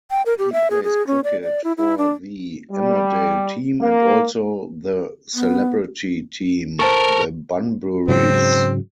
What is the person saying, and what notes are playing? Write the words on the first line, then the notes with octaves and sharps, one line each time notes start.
He plays cricket for the Emmerdale team and also the celebrity team, the Bunburys.
G5
A#4
G4
E5
G#4
G#4
C#4
D5
D5
E4
E4
D4
G3
A#3
B3
A4 A#4 C5 A5 C#6
G#2 C#3 F#3 C4